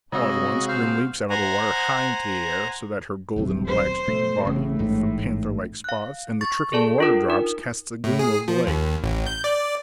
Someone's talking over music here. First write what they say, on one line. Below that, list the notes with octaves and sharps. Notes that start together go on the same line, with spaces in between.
All at once, Grim leaps out of the water high into the air, so that her golden, black-streaked body, with the panther-like spots and the trickling water-drops, casts a gleam over the lake.
C3 G#3 C4 F#4 G#4 D#5 E6
C5 F5
C5 F#5 G#5 A#5
D#1 B1 C3
C5
B2 A3
A1 A2 C#3
A1 G#2
F5 F#6
C#6 A6
G#4 A4 D5 A5
D4 F4 A#4
D#4 A#4
A2
G#4
F3
D#2
A1
G6
D5